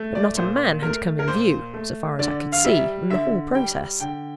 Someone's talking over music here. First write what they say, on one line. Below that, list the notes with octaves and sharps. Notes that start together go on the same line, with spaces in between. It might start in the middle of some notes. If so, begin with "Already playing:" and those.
But not a man had come in view, so far as I could see, in the whole process.
Already playing: A3
D5
A#2 C5
A3 A#4
A#4
A#2 C5
A3
D3 D5
F5
G3 E5
D3 E5
G3 G5
D3 G5